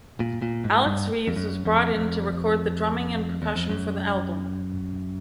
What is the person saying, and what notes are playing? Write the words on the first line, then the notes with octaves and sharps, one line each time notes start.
Alex Reeves was brought in to record the drumming and percussion for the album.
A#2
A#2
G#2
G2
F2
F#2
F2
F2
E2
F2
F#2